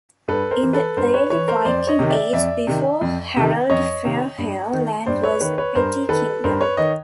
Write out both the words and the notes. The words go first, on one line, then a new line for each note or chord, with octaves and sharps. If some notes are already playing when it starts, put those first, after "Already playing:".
In the early Viking Age, before Harald Fairhair, Land was a petty kingdom.
G2 A4 B4
A#4 C5
E3
A4 B4
G2 A#4 C5
B4 C#5
E3 B4 C#5
A#4 C5
F2 C5 D5
C#5 D#5
C3 D#3
D5 E5
F2 D5 E5
C3 D#3
F2
C3 D#3
F2 C#5 D#5
C3 D#3
G2
D#3
G2 C5 D5
B4 C#5
D#3 B4 C#5
B4 C#5
G2 A#4 C5
D#3 A4 B4
G2 A#4 C5
B4 C#5
D#3 C#5 D#5